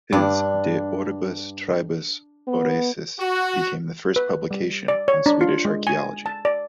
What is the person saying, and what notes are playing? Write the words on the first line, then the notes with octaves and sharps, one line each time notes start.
His "De orbibus tribus aureis" became the first publication on Swedish archaeology.
G2 D4
B3
F#4
B4
G3
D5
C#5
D4
F4
G#3
G#5
A5
D5